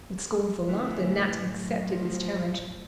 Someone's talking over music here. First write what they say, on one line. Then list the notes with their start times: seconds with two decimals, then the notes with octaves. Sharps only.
With scornful laughter Nat accepted this challenge.
0.68 D2 E3
1.11 F#2 A2
1.91 F3